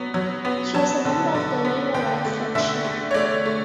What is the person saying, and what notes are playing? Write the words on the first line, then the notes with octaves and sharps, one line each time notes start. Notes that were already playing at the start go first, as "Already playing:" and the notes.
She was a member of the Labor Right faction.
Already playing: F#3 B3
F#3
B3
F#3 A5
D3
D3
B3
D3 G5
A3
D3 E5
A3
C#5
A3 D5
A3